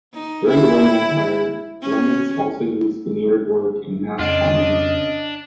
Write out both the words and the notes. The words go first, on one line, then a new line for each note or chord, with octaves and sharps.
During the Roman Empire, Romans also used veneered work in mass quantities.
D#4
E4
C#4
F2 C#3 D4 F4 D#5